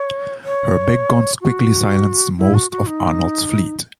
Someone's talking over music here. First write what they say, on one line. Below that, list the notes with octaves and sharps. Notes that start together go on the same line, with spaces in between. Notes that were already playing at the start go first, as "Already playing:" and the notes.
Her big guns quickly silenced most of Arnold's fleet.
Already playing: C#5
C#5
F#4
E4
F#4
F#4
D#4